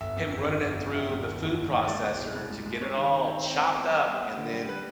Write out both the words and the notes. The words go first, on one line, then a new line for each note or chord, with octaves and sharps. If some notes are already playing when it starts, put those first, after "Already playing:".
him running it through the food processor to get it all chopped up, and then
G1 E5
F2
D3
D3
G1
G1
G3 E5
D#2
D#3
D#2
D#2
G3
G#3 D5
C2
B2
C2
G#3
G#3
G#3 C#5
D#3
C4
C4
C4
C4
B3 C5
G3
B3
B3
D3
G3
B4